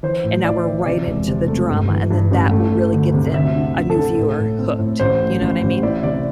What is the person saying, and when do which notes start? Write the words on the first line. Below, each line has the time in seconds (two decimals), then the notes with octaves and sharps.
and now we're right into the drama, and then that will really get them, a new viewer, hooked. You know what I mean?
0.03 E3 C5
0.24 A2
0.44 E4 D5
0.65 E3
0.86 C3 D5
1.07 E1
1.28 C3
1.48 A3
1.69 G2
1.89 E3
2.11 G2
2.31 A1
2.51 A3
2.72 A3
2.93 D2
3.14 C3
3.34 D2 E5
3.55 D3
3.76 D3
3.90 A4
3.96 D3
4.17 A2
4.38 A2
4.59 C4
4.79 A2
5.00 A1 C5
5.21 A2
5.41 A1
5.62 A1
5.83 E4 D5
6.03 C3 D5